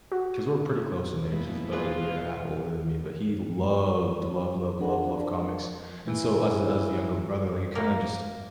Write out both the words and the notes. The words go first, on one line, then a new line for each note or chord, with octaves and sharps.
'cause we're pretty close in age. He's about a year and a half older than me. But he loved, loved, loved, loved, loved comics. And so as a as a younger brother, like, you kind of just
F#4
E2 B2 G#3 A#3 E4
F4 G#4 B4
D4 G#4 A#4 F#5
E3
A#3 A#4